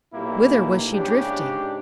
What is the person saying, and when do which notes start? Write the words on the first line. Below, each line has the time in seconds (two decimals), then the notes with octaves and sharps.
Whither was she drifting?
0.13 B1 A#2 A#3 E4 G4
0.93 G#2 C#3 D4 G4